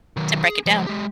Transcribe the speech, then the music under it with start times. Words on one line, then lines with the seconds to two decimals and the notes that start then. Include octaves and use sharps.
To break it down.
0.17 D#3 F#3
0.44 G#4
0.66 F3 G#3
0.87 G#3 G4